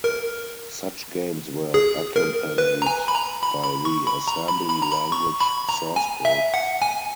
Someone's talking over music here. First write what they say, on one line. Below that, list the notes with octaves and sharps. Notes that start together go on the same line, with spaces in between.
Such games were accompanied by the assembly language source code.
A#4
G#4
A#4
B4
A#5
G#5
B5
A#5
B5
B5
C#6
B5
A#5
B5
B5
A#5
B5
C#6
B5
A#5
G#5
E5
F#5
G#5